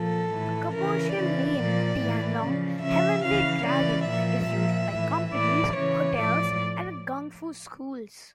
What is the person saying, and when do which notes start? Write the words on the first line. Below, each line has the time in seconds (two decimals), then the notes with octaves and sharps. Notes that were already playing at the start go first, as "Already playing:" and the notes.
The commercial name Tianlong "Heavenly Dragon" is used by companies, hotels, and gungfu schools.
Already playing: A#2 F3 A4
0.33 A2 E3
0.75 C#3 E3 A#4
1.17 C#3 E3 D5
1.59 A#2 F3
2.00 A2 E3
2.42 C#3 F3
2.83 C#3 F3 E5
3.25 C#3 E3 F5
3.67 C#3 E3 D5
4.08 A#2 F3 E5
4.50 A#2 F3
4.92 A2 E3
5.33 A2 E3 D5
5.75 C#3 E3 C#5
6.16 A2 F3 D5